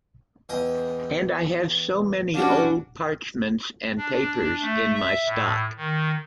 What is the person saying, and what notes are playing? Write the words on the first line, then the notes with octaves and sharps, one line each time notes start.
And I have so many old parchments and papers in my stock.
E2 D#5 G5
F3 C#4 D4 F#4 G4
D4
A3
E5
A2
D#3